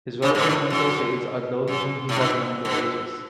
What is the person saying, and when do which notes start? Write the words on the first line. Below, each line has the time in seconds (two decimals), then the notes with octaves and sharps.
His relatives and associates are those whom he has known for ages.
0.22 C#3
0.35 G2
0.46 A2
0.70 F#2
1.68 F#2
2.09 A2
2.16 G2
2.65 G2